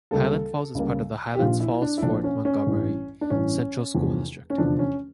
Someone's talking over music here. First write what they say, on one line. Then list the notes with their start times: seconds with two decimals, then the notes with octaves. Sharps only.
Highland Falls is part of the Highland Falls-Fort Montgomery Central School District.
0.11 C#2 C#3 G3 A#3 A4
0.75 C#2 C#3 G3 A#3
1.35 G4
1.39 A#1 A#2 F3 F4
1.60 E4
1.82 D4
1.98 E4
2.02 A#1 A#2 F3 D4
2.24 C#4
2.45 C#4
2.66 A1 G2 E3
3.21 D4
3.30 A1 G2 E3 C#4
3.94 F1 E2 D3 F3
4.50 C#4
4.58 F1 E2 D3 F3 D4
4.79 C#4